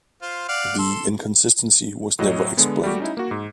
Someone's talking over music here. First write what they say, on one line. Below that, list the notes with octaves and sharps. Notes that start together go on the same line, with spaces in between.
The inconsistency was never explained.
F4 C5
D5 F5 F#5
A4 C6
A2 F#3 C#5 D#5
D3 G#3 B3
G3 A3 F#4 G4
C#4 D#4 E4
A#3 F#4
G#2